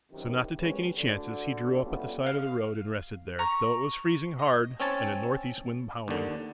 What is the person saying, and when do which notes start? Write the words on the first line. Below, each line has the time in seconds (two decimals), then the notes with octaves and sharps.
So not to take any chances he drew up at the side of the road and rested there, though it was freezing hard and a north-east wind howling.
0.12 F#2 C3 D#3
0.59 G#1 G3 G#3 C#4 B4
0.96 D2 D3
1.84 G3 A3 B3 C#4 D4 F4
2.26 F5
3.39 A#5 C#6
4.39 D#5
4.80 C4 C#4 C#5 A5
6.08 D#2 D3